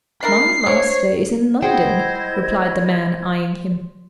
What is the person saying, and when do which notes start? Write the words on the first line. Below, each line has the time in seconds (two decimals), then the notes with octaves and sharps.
"My master is in London," replied the man, eyeing him.
0.23 D4 E4 A#4 C7
0.66 D4 C5 C#5
1.62 E4 G#4 C5 D#5 F#5 G5 G#6